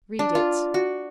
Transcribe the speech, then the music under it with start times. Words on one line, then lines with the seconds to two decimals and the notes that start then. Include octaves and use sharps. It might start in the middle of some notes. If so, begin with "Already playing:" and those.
"Read it."
0.19 D4
0.35 F4
0.74 F#4